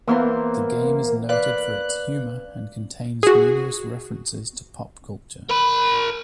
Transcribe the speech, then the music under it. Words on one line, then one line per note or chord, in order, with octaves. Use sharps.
The game is noted for its humour, and contains numerous references to pop culture.
E3 A#3 B3 C5
B4 D5 F5 F#6
F#4 G#4
A#4 B5